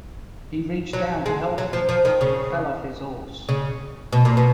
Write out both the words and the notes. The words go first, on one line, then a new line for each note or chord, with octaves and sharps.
He reached down to help them, but fell off his horse.
F#3
G#3
F#3
F3
F3
D#3
C#3
C#3
B2
A#2
B2